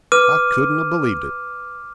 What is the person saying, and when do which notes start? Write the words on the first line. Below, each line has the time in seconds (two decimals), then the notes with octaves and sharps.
I couldn't 'a believed it.
0.12 B4 D6 F6 D#7